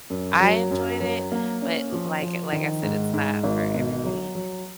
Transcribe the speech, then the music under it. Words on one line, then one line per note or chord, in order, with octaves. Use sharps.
I enjoyed it, but l like like I said, it's not for everybody.
F#2
F#3
F#2
F#3
A#3
C#4
F3
F3
D#3
G#2
G#2
G#1
B2
F#3
F#3